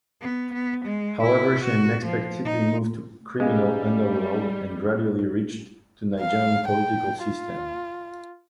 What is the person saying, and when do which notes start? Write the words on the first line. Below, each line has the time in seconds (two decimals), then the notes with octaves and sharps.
However she unexpectedly moved to criminal underworld and gradually reached to Nigerian political system.
0.21 B3
0.54 B3
0.85 G#3
1.22 E4
1.64 F#4
2.05 F3
2.45 D#4
3.40 G3 G#3 C#4 F5 G#5
6.21 F5
6.68 G5
7.24 F4